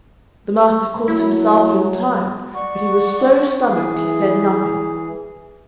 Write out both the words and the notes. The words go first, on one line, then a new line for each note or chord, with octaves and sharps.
The master caught himself in time, but he was so stomached, he said nothing.
F#3 E4
D5 F#5 C#6
E3 G#4